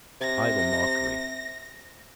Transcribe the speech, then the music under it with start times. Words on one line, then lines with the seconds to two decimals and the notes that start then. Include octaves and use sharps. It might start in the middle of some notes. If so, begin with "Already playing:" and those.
Idle mockery.
0.21 C3 A#6